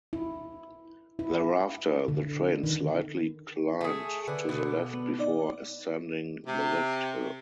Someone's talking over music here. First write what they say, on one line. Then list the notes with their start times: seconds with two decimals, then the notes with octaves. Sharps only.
Thereafter the train slightly climbed to the left before ascending the lift hill.
0.13 E4
1.19 E4
2.08 D3
2.63 D#3
3.81 A3 G#4
4.28 D3 D4 B4
4.49 B2 D3
4.94 B3
5.19 D#4 D5
6.47 C3